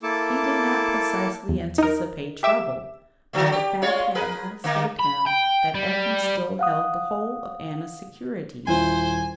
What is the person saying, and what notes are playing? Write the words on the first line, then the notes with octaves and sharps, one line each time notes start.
He did not precisely anticipate trouble, but the fact had not escaped him that Ephraim still held the whole of Anna's securities.
A#3 E4 A4 A5 D6
E2
D#4 A#4
G4 E5 D6 E7
D3 F#3 A3
G4
G#3 F4 C#5
G#4 A#4 B4
D3 D#3 A#3
B5
G5
G3
F5 F#5 D#6
D#1 E4 F4 C5 G#5